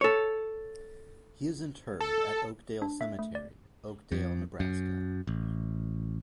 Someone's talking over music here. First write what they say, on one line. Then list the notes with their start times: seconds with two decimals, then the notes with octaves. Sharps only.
He is interred at Oakdale Cemetery, Oakdale, Nebraska.
0.01 A4 C#5
2.00 A4
2.82 D4
3.01 E5
3.19 A3
3.35 D5
4.12 F2
4.60 F#2
5.27 A1